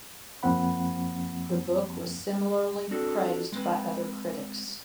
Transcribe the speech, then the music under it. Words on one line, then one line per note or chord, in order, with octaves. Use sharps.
The book was similarly praised by other critics.
F#2 F3 A#3 C4 F#5 B5
C4 D4 F#4 A4
G#3 C4 B4